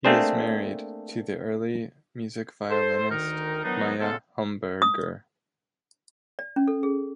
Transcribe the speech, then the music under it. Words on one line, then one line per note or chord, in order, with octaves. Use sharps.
He is married to the early music violinist Maya Homburger.
A3 A#3 C4 D4 G#4 C5
A4 C5
D2 D#3 D#4 A#4
D#3 E3 F#3 B3 D4 D#4
C#3 G#3 A3 B3 F4 A4
D#6
D5
C#4
A4
G#4